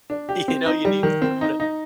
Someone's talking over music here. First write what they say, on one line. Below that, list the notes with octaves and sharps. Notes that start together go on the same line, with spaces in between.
You know, you need someone to
D4
G4
C4
D#4
G3
D#3
C4
D#4
D#4